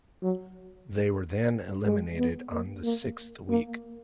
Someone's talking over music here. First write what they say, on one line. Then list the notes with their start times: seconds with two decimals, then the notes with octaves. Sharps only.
They were then eliminated on the sixth week.
0.23 F#3
1.86 G#3
2.19 B3
2.52 A#3
2.84 A#3
3.50 A#3